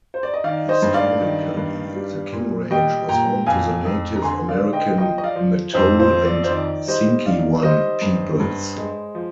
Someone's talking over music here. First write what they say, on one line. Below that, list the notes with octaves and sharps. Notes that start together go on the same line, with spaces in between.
Historically, the King Range was home to the Native American Mattole and Sinkyone peoples.
C5
D5
D#5
D#3 D5 F5
C5 D#5
G2
D5 F5
D#3
G2
G3
A#2
G3 D#5 G5
A#2 G5 A#5
F2 F5 G#5
F2
A#5
D3 G#5 C6
D5 F5
D3
D#5 G5
F3 D#5 G5
D#5
D5 F5
F3
F2 C5
C5
F3
D5
C5
D#3 D5
G3 C5 D#5
D#3 D5 F5
G3 C5 D#5
G2
G2
G#3
F3